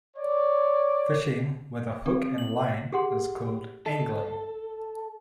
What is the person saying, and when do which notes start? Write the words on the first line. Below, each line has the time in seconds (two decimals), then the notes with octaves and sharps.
Fishing with a hook and line is called angling.
0.16 C#5 D5
2.06 C4
2.38 F#7
2.92 G4 G#4 F#5 C6
3.86 A4